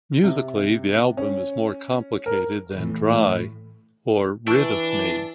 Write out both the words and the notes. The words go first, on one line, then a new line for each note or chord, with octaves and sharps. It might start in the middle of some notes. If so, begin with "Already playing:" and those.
Musically, the album is more complicated than "Dry" or "Rid Of Me".
C3
C#4
A#4
A2 E3
A2
E3 D4 A5 C#6 E6